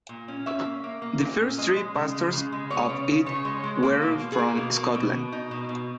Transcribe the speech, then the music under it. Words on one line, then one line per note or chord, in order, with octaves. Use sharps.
The first three pastors of it were from Scotland.
A#2
C#4
C#4 E5
A#3
A#3
A#3
A#2
C#4
G#3 D#5
G#3
C#3
G#3
C#3
G#3
B3 C#5
C#3
C#3
C#3 C#5
G#3
G#3
A#3
B2
A#3
G#4
A#3 A#4
B2
B2
B2
B2
D#4
B2
B2